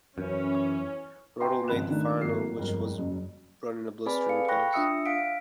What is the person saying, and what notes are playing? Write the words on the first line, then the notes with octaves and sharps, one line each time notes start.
Rodal made the final, which was run in a blistering pace.
F#2 E3 C#4
B4 E5 G5 G#5 A#5 C6
G#1 C#2 F3 B5 F#6 E7
D#3 A3 D4 D#4
G#1 F#3 A#3 C7
G1 F2 G#3 A#4
F#1 F#2
C4 G#4 B4 D5 G#5 B5
A4 F5 C#7
G5 B5 C#6 F#6 A#6
D4 F4 E5 D#6 E6 C#7
F5 F#5 B6 D7